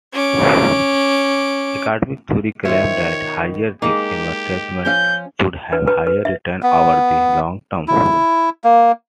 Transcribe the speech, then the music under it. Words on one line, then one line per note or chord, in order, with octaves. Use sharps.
Academic theory claims that higher-risk investments should have higher returns over the "long-term".
C#4 D6
D#3 F4 C5 C#5 E5
B2
G#3 A#3 D#4 G4
F3 C#4 F5 G6
B4
B4
B4
E5
B3
E4
A#3